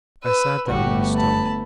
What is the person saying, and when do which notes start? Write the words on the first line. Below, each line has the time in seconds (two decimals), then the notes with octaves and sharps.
I sat down on the stone.
0.23 B4 E6
0.68 G1 A3 B3 F#4 G4
1.15 A5 B5